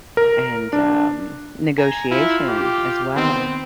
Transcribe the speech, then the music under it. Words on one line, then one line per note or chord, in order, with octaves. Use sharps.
and, um, negotiation as well.
A#4
D4
G#5 A#5
E4 F4
G4
D#3 B3 C4